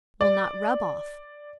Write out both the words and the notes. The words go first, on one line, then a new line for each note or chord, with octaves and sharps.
Will not rub off.
D5